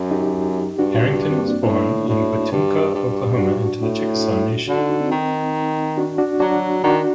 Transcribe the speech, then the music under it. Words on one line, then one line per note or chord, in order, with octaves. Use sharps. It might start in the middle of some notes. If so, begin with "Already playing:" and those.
Herrington was born in Wetumka, Oklahoma into the Chickasaw Nation.
Already playing: F#2
D#4 G4
G2 D4 F#4
D4
C4
A#3 D4
A2
A2 D4 F#4
G2
G2
D4 F#4
A2
D3 F#4
D#4
D4
C4 D#4
D#3
D4 F#4
D4 F#4
F#3 D4 F#4
D#3 D4 F#4